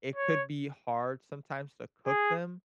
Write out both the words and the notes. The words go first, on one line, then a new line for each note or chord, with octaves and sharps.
it could be hard sometimes to cook them
C#5
G#4